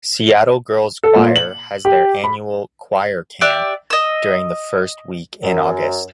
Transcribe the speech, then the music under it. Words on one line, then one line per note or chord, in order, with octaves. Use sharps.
Seattle Girls Choir has their annual "Choir Camp" during the first weekend in August.
A4
A#2
F#7
G4
B5
G4 D5 E5 F#6
D#5 E6
F#2